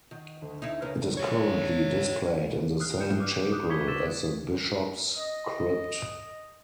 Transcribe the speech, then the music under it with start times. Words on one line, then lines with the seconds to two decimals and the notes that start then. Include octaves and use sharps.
It is currently displayed in the same chapel as the bishops' crypt.
0.11 D#3 D#5 F#5
0.42 D2
0.62 D#4 E4 E5 G#6 C7 D7
0.82 C#3 A#3 C4 B4
1.17 F4 C#5
2.80 D#6 F6 F#6 C7
3.00 G6 C#7 E7
3.20 D6 F6 F#6
3.52 D6 D#6 F#6 C#7
3.69 C#6 D6 G#6 B6 C#7 G7
3.88 E6 A6 E7
5.18 D#5